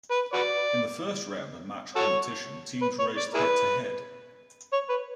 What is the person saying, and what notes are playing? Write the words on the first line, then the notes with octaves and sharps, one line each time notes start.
In the first round of match competition, teams raced head-to-head.
B4
F#4 B4 D5
F#4 A4 C#5
B4
C#5
D5
E4 G#4 B4
C#5
B4